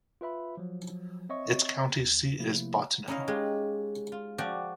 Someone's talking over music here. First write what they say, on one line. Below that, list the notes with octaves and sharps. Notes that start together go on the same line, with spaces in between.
Its county seat is Bottineau.
F4 B4 E5 B5
F3 F#3
C4 C#5 D#5 E5 C#6
D#2
C3 F3 A3 A#3 E4
C#4 D#4 E4 D#5 F5
G#3 F4 G4
F4
F3 F#4 D5 G5